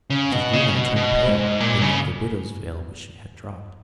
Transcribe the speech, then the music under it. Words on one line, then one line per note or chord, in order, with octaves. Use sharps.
Mrs. Greenow turned pale beneath the widow's veil which she had dropped.
C#3
B2
C#3
B2
B2
G#2
A#2
C#3